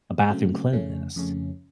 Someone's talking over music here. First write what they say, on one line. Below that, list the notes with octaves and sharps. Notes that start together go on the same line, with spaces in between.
a bathroom cleanliness?
C#3 F#3 A3 C4
F2 C#3 A3 C#4
F2 C#3 A3 C#4